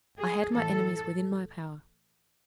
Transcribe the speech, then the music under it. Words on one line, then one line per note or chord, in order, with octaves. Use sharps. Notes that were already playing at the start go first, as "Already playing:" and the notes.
I had my enemies within my power.
G#4
A2 E3 A4